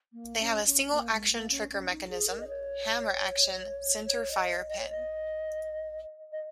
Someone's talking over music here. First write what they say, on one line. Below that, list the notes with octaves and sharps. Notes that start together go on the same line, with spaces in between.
They have a single action trigger mechanism, hammer action, center fire pin.
A#3
C#4
C#4
A#3
G#3
A#3
C#4
C#4
D#4
G#4
A#4
D#5
C#5
C#5
D#5
D#5
C#5
D#5
D#5